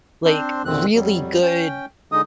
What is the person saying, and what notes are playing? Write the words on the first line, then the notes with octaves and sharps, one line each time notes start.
like, really good,
C4 D4 C5
E2 A#2 D3 D#3 C4 F#6
F2 F#3 G3
C#4 G5
D3 G#3 D#4 D#5 D#6